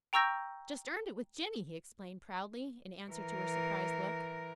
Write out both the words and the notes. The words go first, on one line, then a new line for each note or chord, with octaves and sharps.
"Just earned it with Jinny," he explained proudly, in answer to her surprised look.
G5 A#5 C#6 E6 G6 A#6
E3 A#4